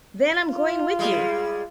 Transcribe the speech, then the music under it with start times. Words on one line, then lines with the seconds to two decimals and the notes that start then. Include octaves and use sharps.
Then I'm going with you.
0.51 F4
0.99 G3 G#3